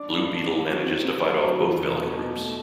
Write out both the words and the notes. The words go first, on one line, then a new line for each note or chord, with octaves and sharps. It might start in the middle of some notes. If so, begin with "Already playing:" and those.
Blue Beetle manages to fight off both villain groups.
Already playing: D4 D5
G2
D4
G2
F#3
C4
C4
F#3
F#3
E2
E2
B2
B2
A3